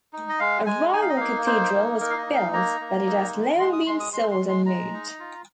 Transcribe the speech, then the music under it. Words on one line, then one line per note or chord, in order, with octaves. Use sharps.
A rival cathedral was built but it has long been sold and moved.
D#4
D#5
G#3 F5
G#3 G#5
D#4 G#5
F5
D#5
A#3 F5
D#4 C5
A#3
D#4 A#4
F5
D#5
D#4
F5
A#3 A#5
A#3
D#4
G#3
G#3 C6
D#6
G#3 C6
D#6
G#3 C6
C6
G#3
C6
G#3 A#5
D#4
F4